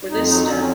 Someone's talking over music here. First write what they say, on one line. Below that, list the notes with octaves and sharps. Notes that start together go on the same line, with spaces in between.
For this step.
F2 D#4
F#3 D#4
F2 C#4